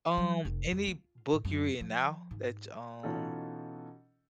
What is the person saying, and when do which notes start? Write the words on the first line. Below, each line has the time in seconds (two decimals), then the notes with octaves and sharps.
um, any book you're reading now that y um,
0.18 F#3
0.45 F1
0.72 F2
0.88 F4
1.33 A2
1.45 F#2
1.81 F3
2.31 G#2
3.03 B2 E3 C#4 D#4 F4 A4